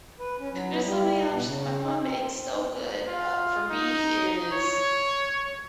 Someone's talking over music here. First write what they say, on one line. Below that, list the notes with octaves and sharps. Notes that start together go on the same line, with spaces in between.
There's so many options my mom makes so good, uh, for me is
B4
C#4
F#3
B3
G3
B2
C#3
D#4
C4
F4
D#4
C#5